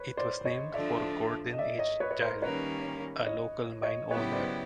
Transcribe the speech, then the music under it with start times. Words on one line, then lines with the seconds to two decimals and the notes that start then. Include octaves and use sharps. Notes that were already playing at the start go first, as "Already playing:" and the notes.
It was named for Gordon H. Gile, a local mine owner.
Already playing: B4 C#5
0.17 C5 D5
0.45 C#5 D#5
0.74 D3 F3 A3 D4 D5 E5
1.53 D#5
1.58 D5 E5
1.79 C#5 D#5
2.00 B4 C#5
2.11 C#5
2.21 A#4 C5
2.42 D#3 G3 A#3 C#4 B4 C#5
3.26 C#5 D#5
3.83 C#5 D#5
4.11 C#3 F#3 B3 E4 G4 B4 C#5
4.32 C5 D5